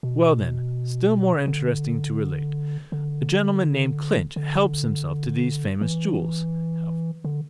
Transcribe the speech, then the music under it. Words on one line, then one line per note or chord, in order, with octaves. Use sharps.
Well, then, still more interesting to relate, a gentleman named Clinch helps himself to these famous jewels.
B2
D3
D3
D3
E3
D3